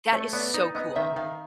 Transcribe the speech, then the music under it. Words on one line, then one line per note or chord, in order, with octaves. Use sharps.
That is so cool.
A3 C#5
B3 D5
D#4 D5
B3 D#5
D#3 E5
D#3 F5